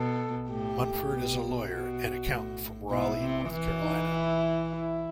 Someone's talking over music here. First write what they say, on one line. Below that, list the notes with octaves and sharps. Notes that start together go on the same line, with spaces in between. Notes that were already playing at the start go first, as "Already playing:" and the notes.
Munford is a lawyer and accountant from Raleigh, North Carolina.
Already playing: B2 A4
A2 G4
B2
B2 F#4
A2
B2 E4
C3
E3
D#4
E4
E4